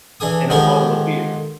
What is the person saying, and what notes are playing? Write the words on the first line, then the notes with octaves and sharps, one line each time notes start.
and a bottle of beer.
E3 D4 G#4 D#6
D3 D#3 F3 G#3 G4 A#4